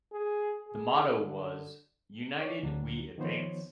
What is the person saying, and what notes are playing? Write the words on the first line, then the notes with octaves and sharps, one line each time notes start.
The motto was "United We Advance".
G#4
G#4
D3
C#5 D5
D2 F#3 D4
D#3 F3 B3 C5 C#5